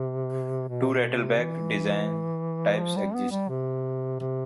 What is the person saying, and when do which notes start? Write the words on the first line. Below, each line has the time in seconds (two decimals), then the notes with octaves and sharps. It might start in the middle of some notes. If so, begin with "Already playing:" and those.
Two rattleback design types exist.
Already playing: C3
0.69 B2
0.92 B2
1.16 C3
1.39 E3
2.80 F3
2.96 G3
3.15 B3
3.31 G3
3.49 C3
4.20 C3